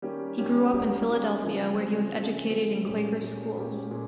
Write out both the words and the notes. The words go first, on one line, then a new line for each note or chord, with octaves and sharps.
He grew up in Philadelphia where he was educated in Quaker schools.
D#3 G3 A#3 C#4 G4
D#3 G3 A#3 C#4 G4
D#3 G3 A#3 C#4 G4
D#3 G3 A#3 C#4 G4
C#3 F3 G#3 C4
C#3 F3 G#3 C4
C#3 F3 G#3 C4
C#3 F3 G#3 C4
A#2 G#3 C#4 G4
A#2 G#3 C#4 G4
A#2 G#3 C#4 G4
A#2 G#3 C#4